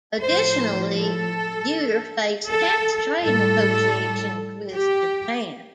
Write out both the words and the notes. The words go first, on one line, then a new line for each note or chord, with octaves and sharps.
Additionally, Yeutter faced tense trade negotiations with Japan.
A2 F3 C5
A4
A4
A2 G3 A4
G4